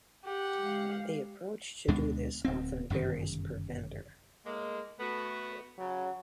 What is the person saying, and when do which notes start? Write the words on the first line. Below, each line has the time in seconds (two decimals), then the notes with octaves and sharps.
The approach to do this often varies per vendor.
0.24 G4 F#5
0.60 G#3 F5
1.88 D2 B2 G#3 D4
2.45 D1 C4
2.90 G1 F#2 C3 D#3
4.45 A2 G#3 A#3
4.99 A3 B3 F#4
5.79 C#3 F#3